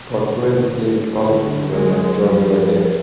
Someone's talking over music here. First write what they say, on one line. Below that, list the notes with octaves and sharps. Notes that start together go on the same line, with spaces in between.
Cottrell played college football at Georgia Tech.
G#2 D3
G#2 D3
F#3 G#3
G2 F3 G3